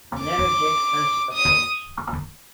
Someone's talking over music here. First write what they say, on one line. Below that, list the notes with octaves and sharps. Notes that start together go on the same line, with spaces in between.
An energy-expensive approach.
D6
D#6